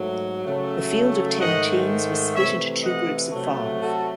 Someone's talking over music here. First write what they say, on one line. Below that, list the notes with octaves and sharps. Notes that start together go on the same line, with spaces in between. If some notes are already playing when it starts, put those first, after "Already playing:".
The field of ten teams was split into two groups of five.
Already playing: G#2 F#3 A3
C#3 F#3 A3
G#2 D#3 A3 D#5 F#5
C3 E3 A3 C#5 E5
D#5 F#5
C3 F#3 A3
F#4 A4